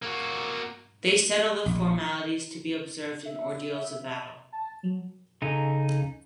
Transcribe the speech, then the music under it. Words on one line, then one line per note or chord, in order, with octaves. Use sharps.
They settle the formalities to be observed in ordeals of battle.
A#3 F#4
A#1
E5
E5
A5
F#3
C#3 D#4 A4 G#5 A#5